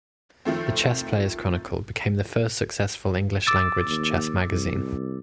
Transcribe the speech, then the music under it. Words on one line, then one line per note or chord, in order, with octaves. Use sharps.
The "Chess Player's Chronicle" became the first successful English-language chess magazine.
D#3 F3 A3 C4
D6 E6 A6
D#2
C2